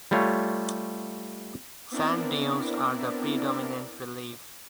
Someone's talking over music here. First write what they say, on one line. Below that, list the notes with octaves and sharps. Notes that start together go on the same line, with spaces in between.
Sand dunes are the predominant relief.
G3 A3 F4 C#5
B3 C4 D4 E4 A#4 D5